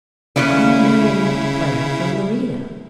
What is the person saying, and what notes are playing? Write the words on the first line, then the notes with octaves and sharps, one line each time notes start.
I am a marionette player from Lerida.'
D#2 C#3 C#4 E4 D5